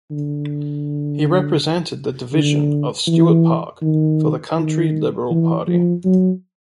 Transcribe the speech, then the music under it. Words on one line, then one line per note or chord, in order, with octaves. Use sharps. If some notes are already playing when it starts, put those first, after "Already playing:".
He represented the division of Stuart Park for the Country Liberal Party.
D3
D3
E3
D#3
D#3
E3
F3
F#3